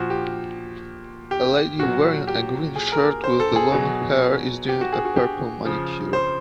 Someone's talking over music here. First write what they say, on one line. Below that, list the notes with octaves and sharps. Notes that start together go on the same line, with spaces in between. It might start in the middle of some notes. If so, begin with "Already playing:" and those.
A lady wearing a green shirt with long hair is doing a purple manicure.
Already playing: A#2 F3 F#4
G4
G4
A#2 F#3 F#4
G4
G#4
A#4
C5
A4
G#4
B2 F#3
G4
F#4
G#4
F#4
G4
C#3 F3
C5